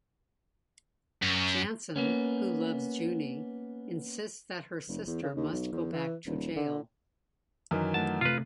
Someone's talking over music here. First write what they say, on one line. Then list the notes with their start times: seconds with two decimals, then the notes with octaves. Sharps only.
Jansen, who loves June, insists that her sister must go back to jail.
1.23 F#2
1.96 A#3 B3 C#4
4.88 F1
5.07 E2
5.23 C#3
5.36 D#2
5.52 B1
5.72 E2
5.92 E3
6.26 D#1
6.56 D3
7.71 F#2 D#3 E3
7.94 A3 F#5 A5
8.21 C3 A3 F4 B4